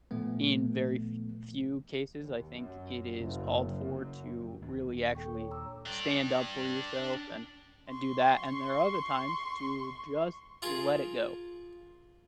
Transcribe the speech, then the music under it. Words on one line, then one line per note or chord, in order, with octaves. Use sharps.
in very f few cases, I think it is called for to really, actually stand up for yourself and and do that and there are other times to just let it go,
A#2 F3 A3 B3
D#2
F#2
F#1
F#2
D#2 A#2 D4
A4 G5 C#6
C#5
A#5 D6 E6
D4 G5
C6 C#6
F4 G#4 A#4